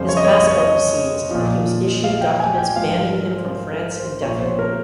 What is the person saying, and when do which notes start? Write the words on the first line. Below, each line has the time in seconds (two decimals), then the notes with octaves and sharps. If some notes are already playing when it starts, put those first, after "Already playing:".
His passport was seized and he was issued documents banning him from France indefinitely.
Already playing: F2 C#3 G3 C5
0.09 C#5
0.17 D#5
0.24 C#5
0.33 D#5
0.47 C#5
0.58 D#5
1.30 A#2 F3
2.04 F5
2.21 G5
2.40 G#5
2.58 G5
2.76 G#2 F3 F5
2.95 A#4
3.13 A#4
3.30 C5
3.49 C5
3.73 A#4
3.98 C5
4.22 A#2 F3 C#5
4.40 C5
4.59 A#4